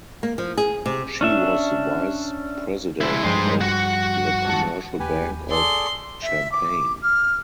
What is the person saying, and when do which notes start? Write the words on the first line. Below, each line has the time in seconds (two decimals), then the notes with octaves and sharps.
She was vice president of the Commercial Bank of Champaign.
0.23 A#3
0.38 F3
0.57 G#4
0.86 C3
1.21 C#4 D4 E5
3.01 G#3 E4
3.23 G2 F3 G#3 C5 D#7
3.61 F#4 F#5
4.44 F2 G#3 A5
5.00 D#2 G4 B4 G#5
5.50 G#4 A4 D5 C6
6.23 E5
6.52 D6
7.03 F6